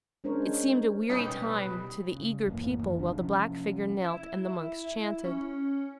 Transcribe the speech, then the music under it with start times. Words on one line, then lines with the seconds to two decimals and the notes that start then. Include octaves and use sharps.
It seemed a weary time to the eager people while the black figure knelt and the monks chanted.
0.24 G#3 C#4 D4 A#4 C5 C#5
1.10 B1 G3 C#4 D#4 G4 B4 D#6
2.13 C#3
2.46 A1 F#2 A2 A#3
2.82 F2 G#2 E3
2.99 F1 F#2 C3 D4
3.16 C3 F3 C4 C#4
4.03 E4
5.24 C#4